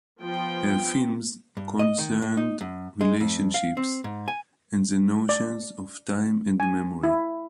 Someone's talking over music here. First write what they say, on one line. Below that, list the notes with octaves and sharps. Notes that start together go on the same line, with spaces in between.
Her films concerned relationships and the notions of time and memory.
F3 B3 G5
G2
D#5
D#3
A2
D#4
F#2
G#3
F2
F5
C4
G#2
G#5
D5
G#5
E4